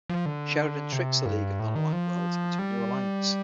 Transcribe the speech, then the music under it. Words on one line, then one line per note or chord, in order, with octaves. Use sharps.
Sheridan tricks the League of Non-Aligned Worlds into a new alliance.
F3
D3
C3
G2
A2
D#3
F3
G3